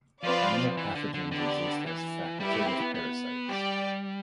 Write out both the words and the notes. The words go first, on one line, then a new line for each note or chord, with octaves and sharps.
Animal pathogens exist as facultative parasites.
F3 C4 F4 B4 D5 F5
E3
D3
D3
D3 B3 D4 G4 D5
E3
G3 E4 G4 B4
A3
C4
B3
B3
G3 G4 D5 G5